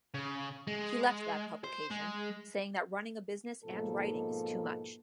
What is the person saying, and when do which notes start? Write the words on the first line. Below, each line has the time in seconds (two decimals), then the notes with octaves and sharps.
He left that publication, saying that Running a business and writing is too much.
0.14 C#3
0.67 G#3
1.64 C5
1.91 G#3
3.64 G#2 B2 F3 A#3 A4